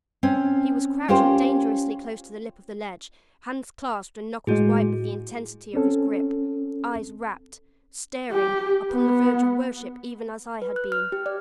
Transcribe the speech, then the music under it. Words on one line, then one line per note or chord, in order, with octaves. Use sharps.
He was crouching dangerously close to the lip of the ledge, hands clasped and knuckles white with the intensity of his grip, eyes rapt, staring--upon the verge of worship even as I had been.
C4 C#4
C#4 F4 G4 A#4 C5
A2 G#3 F#4 G#4
C4 C#4 A4
G4
B3
B4
F#6
F6
G4
D5